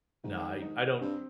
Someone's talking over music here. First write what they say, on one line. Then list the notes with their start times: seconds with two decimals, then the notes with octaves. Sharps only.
No. I I don't
0.24 G#2 D#3
0.62 D#4
1.01 G2 C4